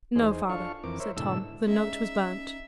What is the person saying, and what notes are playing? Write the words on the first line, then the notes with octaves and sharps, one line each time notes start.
"No, father," said Tom; "the note was burnt."
E2 D#4 G#4 C5
D4 F4 A4 F5 C#6
F2 E3 C4 A#4 D6
A#4 C5 C#5 E5
G#2 B2 D3 E4 A4 E6
G#3 C#4 D#4 E5